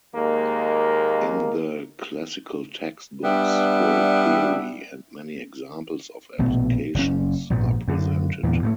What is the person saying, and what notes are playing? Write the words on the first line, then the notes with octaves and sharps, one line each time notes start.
In the classical textbooks full theory and many examples of applications are presented.
D#2 G#3 A#3
G3 B3 D4 E5
A#1 B2 A3
F#1 C#4
A#1 G#2 B2
F#2 D3
E2 G2 A#2
A2 F3 A3